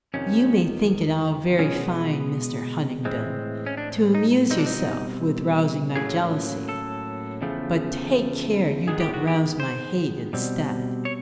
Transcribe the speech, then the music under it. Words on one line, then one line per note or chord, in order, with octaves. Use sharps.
'You may think it all very fine, Mr. Huntingdon, to amuse yourself with rousing my jealousy; but take care you don't rouse my hate instead.
F2 C3 D#3 C#4
B2 G#3 B3 C#4
A2 E3 G#3 C4
C#4
D4
D#4
B2 G3 C4 D#4
D4
D#4
A2 F#3 A#3 C#4 G#4
A4
E2 C#3 F3 A3
G#2 D#3 G#3 B3 G#4
G4
F#4
G4
C5
B2 G3 C4
C#5